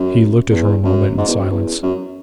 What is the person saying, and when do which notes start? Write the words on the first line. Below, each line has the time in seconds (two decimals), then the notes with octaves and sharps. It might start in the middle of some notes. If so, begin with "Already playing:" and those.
He looked at her a moment in silence.
Already playing: F#2
0.51 E2
0.84 F#2
1.18 G#2
1.28 E2
1.39 F#2
1.51 E2
1.83 F#2